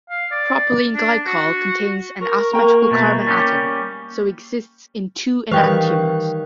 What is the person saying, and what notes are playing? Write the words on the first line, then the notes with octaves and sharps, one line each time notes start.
Propylene glycol contains an asymmetrical carbon atom, so it exists in two enantiomers.
F5
D5
D4
F#4
A#4 C#6
A#3 A#4 G5 A#5
B2 A3
G3 C#4 G4
D#3 E3 G3 F5 C#6 F#6